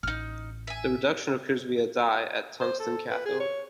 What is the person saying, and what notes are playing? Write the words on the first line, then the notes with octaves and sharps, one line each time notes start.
The reduction occurs via Dy, at a tungsten cathode.
A1 D#4 F6
E5 G#5
C5
A4
B4
G#4
C#5